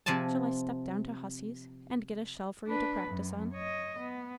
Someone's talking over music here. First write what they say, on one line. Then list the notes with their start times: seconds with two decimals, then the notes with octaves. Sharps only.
"Shall I step down to Hussey's, and get a shell for you to practise on?"
0.06 C3 F3 D5 G#5 A5
2.67 D4 B4
3.09 F#2
3.52 C#5 D#5
3.99 B3